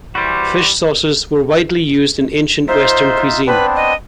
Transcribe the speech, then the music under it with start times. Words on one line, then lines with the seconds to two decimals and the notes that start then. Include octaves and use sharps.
Fish sauces were widely used in ancient western cuisine.
0.15 E3 G3 F#4 C5
2.68 D#4 F4 C5 E5
3.47 B3 C4 D4 B4
3.76 D#5